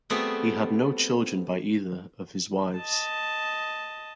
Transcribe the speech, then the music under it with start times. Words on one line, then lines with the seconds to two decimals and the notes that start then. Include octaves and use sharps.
He had no children by either of his wives.
0.10 G3 A3 B3 C4 F#4 G#4
2.77 D#5 A5